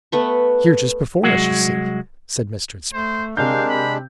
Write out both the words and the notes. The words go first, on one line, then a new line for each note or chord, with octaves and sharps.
'Here just before us, you see,' said Mr Inspector.
A3 B3 C#6
C2 F#3 G#3 F#4
A3 C5
C3 G#3 D4 A#4 F5 G6
B5